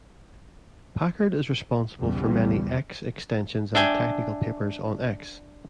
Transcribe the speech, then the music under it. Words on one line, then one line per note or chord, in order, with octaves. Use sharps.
Packard is responsible for many X extensions and technical papers on X.
B1 E2 C#3 G3
D4 E5 G5 G#5